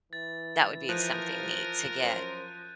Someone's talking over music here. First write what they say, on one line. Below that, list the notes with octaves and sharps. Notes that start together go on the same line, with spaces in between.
That would be something neat to get
E3 A6
F3 A#4 F#6 G6 D#7
F#2 C5